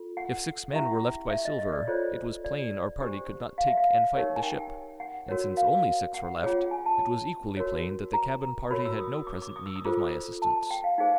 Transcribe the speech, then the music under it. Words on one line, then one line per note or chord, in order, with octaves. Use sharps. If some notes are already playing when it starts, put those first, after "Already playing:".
If six men were left by Silver, it was plain our party could not take and fight the ship; and since only six were left, it was equally plain that the cabin party had no present need of my assistance.
Already playing: F4 A4
F#5
C#4 E4 G4 E5
E5
D#5
D#5
D5
F4 A4 C5 C#5
D5
D4 G4 C5
F5
E5
F5
D#4 G4 A#4 C#5
G#5
G5
G5
F#5
F#4 A#4 C#5
F5
F#5
C#4 F4 G#4 C#5
G#5
A5
A5
F#4 A#4 C#5
A#5
F#4 A#4 C#5 B5
E6
D#6
D#6
D6
D6
D#6
E6
D#6
F4 A4 C5 D6
A5
A5
G5
F5
D#4 G#4 C5 F5